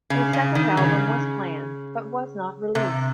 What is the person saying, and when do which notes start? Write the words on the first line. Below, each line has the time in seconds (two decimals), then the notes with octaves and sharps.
A second album was planned but was not released.
0.10 C#3
0.33 C#3
0.55 D#3
0.77 C#3
2.75 C3